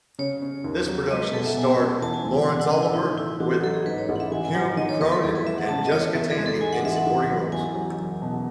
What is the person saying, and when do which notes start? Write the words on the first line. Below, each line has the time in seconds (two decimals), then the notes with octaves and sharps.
This production starred Laurence Olivier, with Hume Cronyn and Jessica Tandy in supporting roles.
0.19 C#3 C#5
0.42 C#4
0.64 D#2
0.88 F#3
1.11 G#3 D#5
1.22 B4
1.33 B2 A4
1.46 E5
1.57 B2 G#5
1.79 C#4
2.02 E2 A5
2.14 G#5
2.25 E1 A5
2.37 G#5
2.48 E1 G#5
2.60 F#5
2.71 C#3 D#5
2.83 E4
2.94 A2 D#4
3.18 A3 E4
3.40 A1 F#4
3.51 A4
3.63 F#3 A4
3.74 G#4
3.86 G#2 B4
3.98 C#5
4.09 A1
4.16 F#5
4.20 E5
4.32 A1 G#5
4.45 G#5
4.54 F#3 F#5
4.77 D#3 D#5
4.89 C#5
5.01 E2 B4
5.12 A4
5.24 E2 G#4
5.35 B4
5.46 A3 E5
5.58 F#5
5.69 C#3 A5
5.86 D#5
5.92 E2 C#5
6.15 E2 E5
6.30 G#4
6.38 G#3
6.46 A4
6.61 G#2 G#5
6.73 F#5
6.84 A1 E5
6.97 F#5
7.07 A1
7.30 F#3
7.52 E2 G#5
7.75 F#3
7.99 F#1
8.22 B2